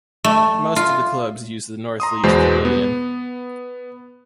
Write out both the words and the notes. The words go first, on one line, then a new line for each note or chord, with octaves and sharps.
Most of the clubs use the Northleach Pavilion.
A3
F4
A#5 C6 D#6
E2 B2 G#3 C5
B3